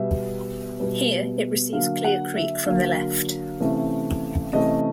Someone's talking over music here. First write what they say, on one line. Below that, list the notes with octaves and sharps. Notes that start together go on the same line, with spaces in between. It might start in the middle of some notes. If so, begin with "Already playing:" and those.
Here it receives Clear Creek from the left.
Already playing: B2 G3 B3 E5
B2 G3 B3
D3 F#3 A#3 F5
F#5
E5
D3 F#3 A#3 F5
C3 E3 A3 C#4
C3 E3 A3 C#4 D#5